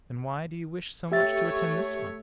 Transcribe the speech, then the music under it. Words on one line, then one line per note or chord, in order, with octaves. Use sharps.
"Then why do you wish so much to attend this one?"
A3 G4 C#5 E5 A6